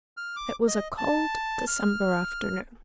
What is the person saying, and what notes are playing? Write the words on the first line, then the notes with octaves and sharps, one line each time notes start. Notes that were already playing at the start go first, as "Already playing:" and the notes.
It was a cold December afternoon.
F6
D6
D#5
A5
F6